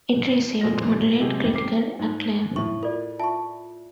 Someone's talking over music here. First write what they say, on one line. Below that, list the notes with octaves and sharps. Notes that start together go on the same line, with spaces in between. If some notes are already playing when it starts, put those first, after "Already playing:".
It received moderate critical acclaim.
A#2 G#3 C5 A#6
C3 F#3 G#3 G4 G#4
G#1 D#3 G3
C4 G5 D6 C7
G#2 D#4
A2 C#6
F4 A4 A#4 D5
F4 E5 A5 C#6